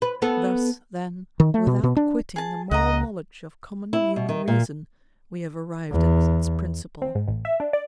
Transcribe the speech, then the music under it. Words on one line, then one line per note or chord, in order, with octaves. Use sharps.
Thus, then, without quitting the moral knowledge of common human reason, we have arrived at its principle.
B4
B3 A4
D#3
A3
B2
B2
D4
G#4 A5
C#2 D#5 F#5 A#5
E4
B2
D#3
A#2
E2
C4
G#2
A1
E5
D4
D5